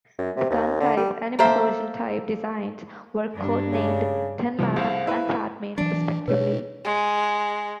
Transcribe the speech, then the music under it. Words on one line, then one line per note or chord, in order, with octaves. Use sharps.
The gun-type and implosion-type designs were codenamed "Thin Man" and "Fat Man" respectively.
F#2
C3
D#2
D3
G3
A#3 A4 C5 E5
G2 D4
C#3
C3 E3 F3 G3
C2 G#4 C5 F5
E4 B4
E3 F#3 D4
B2 G#3 B4 C#5
G#3